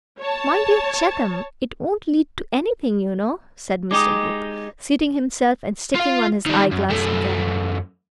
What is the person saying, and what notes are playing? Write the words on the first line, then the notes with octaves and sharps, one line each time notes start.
"My dear Chettam, it won't lead to anything, you know," said Mr. Brooke, seating himself and sticking on his eye-glass again.
C#5 A5
G#3 D#4 G4 D6 D#6
F4 F5
D#3 G3
F#2
F#2 A3